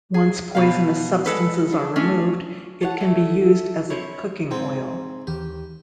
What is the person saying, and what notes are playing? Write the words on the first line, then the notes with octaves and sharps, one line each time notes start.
Once poisonous substances are removed, it can be used as a cooking oil.
G#4
B2 F5
G#3 A4 B4
D4
A3 C#4 D4
A4 C#5 F#5
A3 C#4 A4 E5
C4 C#4 E4 C#5
G#2 C4 G5
D#2 D#3 E3 G4